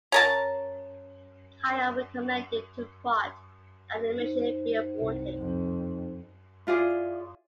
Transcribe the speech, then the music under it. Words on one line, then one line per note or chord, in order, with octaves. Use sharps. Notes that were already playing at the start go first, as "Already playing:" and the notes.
Kyle recommended to Vaught that the mission be aborted.
C#4 A#4 A5
D#4 C5
C2
F2
E4 F4 G#4 D5